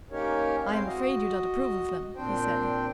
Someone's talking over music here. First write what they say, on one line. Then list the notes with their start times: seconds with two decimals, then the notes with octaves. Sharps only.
"I am afraid you don't approve of them," he said.
0.11 A#3 C#4 D#4 G4 A#4 C#5
0.66 G#3 C4 E4 C5 F5
0.86 F#4 D#5
2.16 A#2 C4 D4 C5 G5